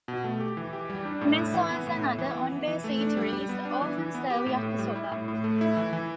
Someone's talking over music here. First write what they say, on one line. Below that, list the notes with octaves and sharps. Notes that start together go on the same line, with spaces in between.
Mess halls and other on-base eateries often serve yakisoba.
B2
A3
G4
E3
G4
G3
D4
A2
E4
E3
B3
A2
E4
E3
B3
E3
E3
A3
D4
G3
G3
B3
D4
E3
E3
B3
G4
A2
A2
G3
E4
A2
A2
A3
E4
E3
E3